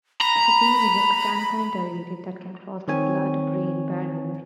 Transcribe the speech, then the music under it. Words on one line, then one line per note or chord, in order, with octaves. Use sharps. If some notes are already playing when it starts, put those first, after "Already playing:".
Caffeine is a xanthine derivative that can cross the blood-brain barrier.
A#5 B5
D#3 C4 C#5 G#5